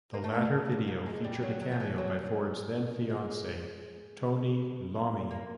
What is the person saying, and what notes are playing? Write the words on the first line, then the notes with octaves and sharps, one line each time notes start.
The latter video featured a cameo by Ford's then fiancee, Tony Iommi.
A#3
A3
A#3
A#3
G#3
G3
F#3
F#3
F3
E3
F#3
G#3
A#3